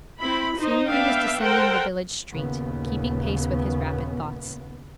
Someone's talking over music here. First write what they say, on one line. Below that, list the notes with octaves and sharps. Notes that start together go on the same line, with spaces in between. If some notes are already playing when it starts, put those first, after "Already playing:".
Soon he was descending the village street, keeping pace with his rapid thoughts.
C4 E4 B5
D#4 C5
B3 D4 E5 F5 G5
A4 A#4 C5 F#5 G5
D#2 A#2 C#3 B3